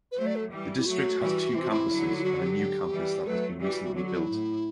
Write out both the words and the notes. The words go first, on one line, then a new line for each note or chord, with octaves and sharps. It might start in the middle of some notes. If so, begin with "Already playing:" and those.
The district has two campuses and a new campus that has been recently built.
B4
F#3 A3 C5
D5
A4
E3 G3
E4
F#3 A3 F#4
E3 G3
C3 E3 E4
F#4
E4
D3 F#3
E4
F#4
G4
E3 G3
F#3 A3 B4
E3 G3 G4
F#4
F#4
D3 F#3 F#4
F#4
E4
A2